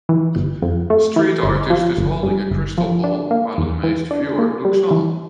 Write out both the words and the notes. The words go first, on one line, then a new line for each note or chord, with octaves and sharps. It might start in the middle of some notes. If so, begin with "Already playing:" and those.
Street artist is holding a crystal ball, while an amazed viewer looks on.
E3
G1
F2
A3
E3
G1
F3
G1
G2
G1
F3
D4
A#3
E2
E3
D4
A#3
G3
E3